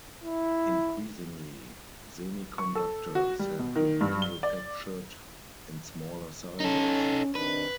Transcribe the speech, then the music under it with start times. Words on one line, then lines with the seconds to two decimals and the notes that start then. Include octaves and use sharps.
Increasingly, semiconductors have been manufactured in smaller sizes.
0.24 E4
2.58 C#6
2.75 A4
3.15 F#4
3.39 G3
3.59 B2
3.76 D#3
4.01 G2
4.22 G7
4.43 D5
6.60 C#4 D#4 A4
7.35 C3 D#3 D4 B4